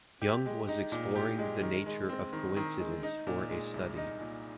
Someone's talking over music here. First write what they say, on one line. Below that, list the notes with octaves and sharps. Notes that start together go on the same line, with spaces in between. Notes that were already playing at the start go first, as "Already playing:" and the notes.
Jung was exploring the nature of coincidence for a study.
G4
G#3
D#4
A#2
G4
G#3
D#3
G#3
C4
D#3
D#3
G#3
D#4
A#2
G#3
C2
D#4
A#2